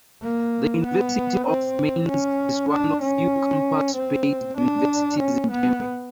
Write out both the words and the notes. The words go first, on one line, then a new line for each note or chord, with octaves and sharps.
The University of Mainz is one of few campus-based universities in Germany.
A#3
B3
C4
C#4
D4
C#4
C4
D4
C#4
B3